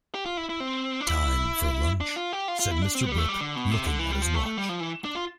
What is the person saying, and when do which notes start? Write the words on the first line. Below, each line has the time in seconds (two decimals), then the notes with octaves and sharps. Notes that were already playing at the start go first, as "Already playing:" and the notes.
"Time for lunch," said Mr. Brooke, looking at his watch.
0.14 G4
0.26 F4
0.37 E4
0.49 E4
0.60 C4
1.00 D4
1.07 E4
2.01 D4
2.16 F4
2.32 G4
2.48 F4
2.59 F4
2.71 E4
2.82 D4
2.95 C4
3.06 B3
3.12 G3
3.18 A3
3.29 G3
3.41 D3
3.56 B2
3.71 C3
3.87 D3
3.99 E3
4.11 G3
4.22 F3
4.35 A3
4.46 A3
4.58 G3
4.69 F3
4.80 E3
5.05 D4
5.15 F4